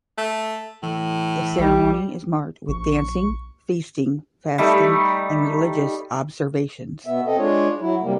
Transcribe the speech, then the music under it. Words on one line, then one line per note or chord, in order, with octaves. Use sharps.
The ceremony is marked with dancing, feasting, fasting and religious observations.
A3
A2 E3
B1 G3
A#1 C#6
G3 A3 D#4
B2 B3 E5
C4 A4 D#5
G#3 D4 F4 C#5
F#3 E4
C3 G3 A#3